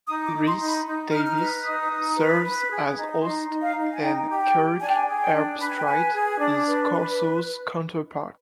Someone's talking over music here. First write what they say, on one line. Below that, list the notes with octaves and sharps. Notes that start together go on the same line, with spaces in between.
Rece Davis serves as host and Kirk Herbstreit is Corso's counterpart.
D#4 D#6
D6
D#4
C6
D#4
B5
D#4
D#4 F6
F6
B4 F6
D#4 D#6
D#4
B4
B4
G#4
D#4
D#4 C6
D#4
F5
D#4
G#5
D#4 G5
G4
G5
G4
D4 G#5
G5
G#5
G#4
G5
D4
B4 B5
G#5
G5
B4 G#5
G#4
D4
B4
B4